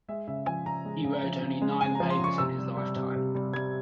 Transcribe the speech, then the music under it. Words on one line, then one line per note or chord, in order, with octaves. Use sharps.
He wrote only nine papers in his lifetime.
G#3 E5
C#3 E5
F3 G#5
C#3 A#5
G#3
C#3
F3
C#3
G#3
C#3 G#5
F3 A#5
C6
C#3 C#6
C3 E6
G3
G3
C3
C3
G3
G3 G#6